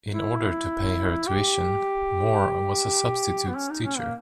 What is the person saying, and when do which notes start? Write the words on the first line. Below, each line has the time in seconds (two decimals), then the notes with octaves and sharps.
In order to pay her tuition, Moore was a substitute teacher.
0.12 E4
1.27 G4
3.48 B3
3.56 C#4
3.70 D#4
3.85 C#4
3.99 A#3